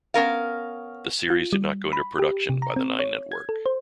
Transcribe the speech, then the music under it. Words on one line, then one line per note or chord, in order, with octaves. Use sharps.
The series did not go into production by the Nine Network.
B3 C#4 A#4 F5
F4
G3
B5
G4
C3
A#5
C4
C#5
G#6
A4
C5